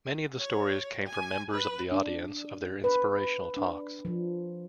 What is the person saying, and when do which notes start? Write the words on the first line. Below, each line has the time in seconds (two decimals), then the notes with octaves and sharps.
Many of the stories came from members of the audience of their inspirational talks.
0.38 C#5
1.07 G#5
1.51 B4
1.92 D4
2.84 B4
3.57 D4
4.05 F3